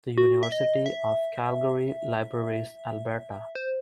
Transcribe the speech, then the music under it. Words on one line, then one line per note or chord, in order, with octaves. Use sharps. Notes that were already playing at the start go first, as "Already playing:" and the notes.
The University of Calgary Libraries, Alberta.
F#4
E5
D#5
E5
C5